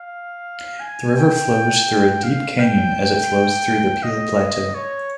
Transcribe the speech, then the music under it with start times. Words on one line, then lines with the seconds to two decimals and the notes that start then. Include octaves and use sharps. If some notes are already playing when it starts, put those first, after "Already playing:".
The river flows through a deep canyon as it flows through the Peel Plateau.
Already playing: F5
0.79 G#5
1.15 G5
2.23 F5
2.59 G5
2.95 G5
4.03 D#5
4.75 C#5